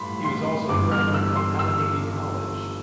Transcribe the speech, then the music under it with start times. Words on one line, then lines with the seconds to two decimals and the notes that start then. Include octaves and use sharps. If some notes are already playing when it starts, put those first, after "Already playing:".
He was also a graduate of Allegheny College.
Already playing: A1 G2 G3 B5 C6
0.24 C6
0.68 G1 G2 E3 G3 D6
0.92 F6
1.14 E6
1.36 C6
1.59 E6